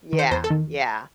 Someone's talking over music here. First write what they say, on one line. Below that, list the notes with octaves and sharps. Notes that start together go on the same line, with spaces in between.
Yeah, yeah.
D#3
C5
E2 C5
A4
D#3